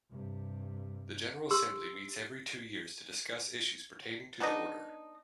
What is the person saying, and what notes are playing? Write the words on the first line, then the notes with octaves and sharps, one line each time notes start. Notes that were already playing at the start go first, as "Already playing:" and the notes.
The General Assembly meets every two years to discuss issues pertaining to the Order.
G2 C3
G4 C6 E6
B3 D4 D#4 D#5